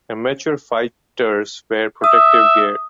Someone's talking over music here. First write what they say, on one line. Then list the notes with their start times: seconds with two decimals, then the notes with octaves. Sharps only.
Amateur fighters wear protective gear.
2.04 E5 D#6